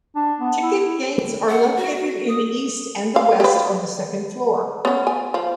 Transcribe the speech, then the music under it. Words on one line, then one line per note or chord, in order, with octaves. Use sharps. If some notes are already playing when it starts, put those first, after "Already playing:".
Ticket gates are located in the east and the west on the second floor.
D4
B3
E4
F#5
F#4
D#6
F5
G4 B4
B3 C#4
G#5
F3